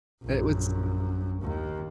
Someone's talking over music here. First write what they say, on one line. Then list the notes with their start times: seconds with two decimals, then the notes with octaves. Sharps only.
It was
0.23 A#1 F#2
1.42 D#2